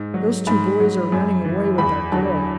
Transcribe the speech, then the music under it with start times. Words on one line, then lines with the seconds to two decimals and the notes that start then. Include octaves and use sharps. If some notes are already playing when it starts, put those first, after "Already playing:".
"Those two boys are running away with that girl!"
Already playing: G#2
0.14 F#3
0.47 G#2 B5
0.80 F#3
1.12 F#2
1.45 E3
1.78 E2 B5
2.12 D3 F#3 A5